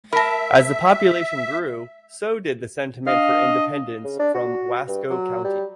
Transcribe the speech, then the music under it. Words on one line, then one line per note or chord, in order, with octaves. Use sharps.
As the population grew, so did the sentiment for independence from Wasco County.
A#4 E5 A5 B5 A#6
D4 D#5 F5
C#3
D4
F#4
G2
F#3
G3